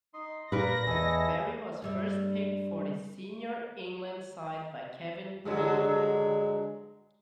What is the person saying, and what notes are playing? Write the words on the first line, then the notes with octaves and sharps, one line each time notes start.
Barry was first picked for the senior England side by Kevin Keegan.
D#4 D#5 C6
A#2 A#4 B4 D5 F5 A#5 A#6
E2 E4 G#4 A4 D#5
G2 G3 E5
G2 D3 F#3 G#3